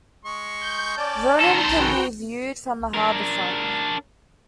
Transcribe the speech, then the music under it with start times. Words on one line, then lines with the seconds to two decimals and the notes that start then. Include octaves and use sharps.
Vernon, can be viewed from the harbor front.
0.25 G#3 C#6
0.61 G6
0.97 C#4 D5 A5
1.41 D#3 A4 A#5 C6
1.75 F#4 G#4 B4 G5
2.94 D4 A#4